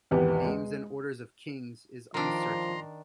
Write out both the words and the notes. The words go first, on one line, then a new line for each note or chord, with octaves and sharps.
The names and order of kings is uncertain.
G#1 E2 B3 G4
G#3
D#3 F3 D4 A#5 C6